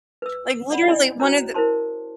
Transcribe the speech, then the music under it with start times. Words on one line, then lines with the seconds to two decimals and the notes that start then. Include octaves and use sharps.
Like, literally one of the
0.22 B4 E6
0.70 D5 F#5 B5
0.88 E4 D5 D#5 G#5
1.20 C#4 F#4 C5 C#5 A#5
1.54 E4 A#4 C5 A5 C6